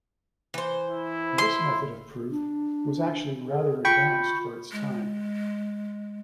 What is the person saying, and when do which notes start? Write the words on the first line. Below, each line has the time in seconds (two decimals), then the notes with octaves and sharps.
This method of proof was actually rather advanced for its time.
0.54 E3 C5
0.89 E4
1.38 C6
2.30 D4
3.47 G#4
3.85 F4 G5 B5 C#6
4.71 G#3